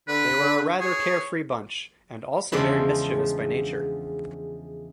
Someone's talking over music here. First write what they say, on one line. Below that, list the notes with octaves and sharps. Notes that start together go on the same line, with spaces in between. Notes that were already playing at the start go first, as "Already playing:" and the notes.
They were a rather carefree bunch, and also very mischievous by nature.
D3 B4
D3
G#4 C#5
E2 C#3 F3 G#3 D4 B5